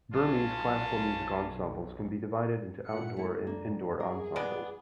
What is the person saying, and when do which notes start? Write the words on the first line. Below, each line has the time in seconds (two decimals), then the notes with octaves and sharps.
Burmese classical music ensembles can be divided into outdoor and indoor ensembles.
0.14 B1 C#4 F4 A5
2.87 A#2 F#5 C#7
3.17 C#2 F#2 A3 E4
3.47 A#3 D4
4.00 G2 G#4 A#4
4.36 G#3 B3 D5